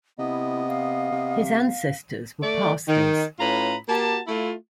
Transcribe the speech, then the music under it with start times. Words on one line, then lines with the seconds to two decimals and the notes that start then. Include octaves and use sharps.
His ancestors were pastors.
0.19 C3 B3 E4 D#5
0.67 F5
1.11 C3
2.42 A3 D5
2.88 D#3
3.39 A2 C#4 F4 B4 A#5 B5
3.88 A#3 F#4 G4 A5
4.27 A3 E4 F4